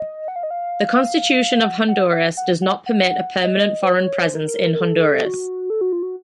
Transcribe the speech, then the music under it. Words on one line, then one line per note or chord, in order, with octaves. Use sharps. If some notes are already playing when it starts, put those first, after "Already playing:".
The Constitution of Honduras does not permit a permanent foreign presence in Honduras.
Already playing: D#5
F#5
F5
D#5
F5
F#5
F#5
F#5
F#5
F#5
F#5
D#5
C5
C#5
C5
A#4
A#4
A4
F#4
A4
F#4
F4
F#4